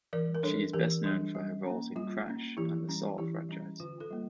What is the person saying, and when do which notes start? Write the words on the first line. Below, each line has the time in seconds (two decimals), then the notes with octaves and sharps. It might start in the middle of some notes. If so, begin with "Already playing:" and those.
She is best known for her roles in "Crash" and the "Saw" franchise.
0.13 E3 A#4 D5
0.35 A#4
0.43 G3 D4 A4 C#5
0.74 E3 G4 A#4
1.04 G3 D4
1.35 G3
1.66 A#3 C#4
1.96 G3 F4
2.27 A#3 C#4
2.57 E3 E4 G4
2.88 G3 C#4
3.18 E3 E4 G4
3.49 G3 C#4
3.80 D3 F4
4.00 F4 A4
4.10 G3 A#3